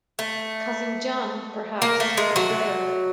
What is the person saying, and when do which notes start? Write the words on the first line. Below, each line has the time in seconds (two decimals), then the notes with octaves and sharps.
Cousin John, perhaps, is better.
0.19 A3
1.82 A#3
2.00 A3
2.17 G#3
2.36 F#3